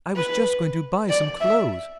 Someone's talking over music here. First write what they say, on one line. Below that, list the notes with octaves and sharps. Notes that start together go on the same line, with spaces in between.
I was just going to buy some clothes.
B4
D5
E5